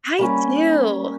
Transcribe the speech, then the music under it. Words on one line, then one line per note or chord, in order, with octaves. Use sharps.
I do.
G3 A#3 C#4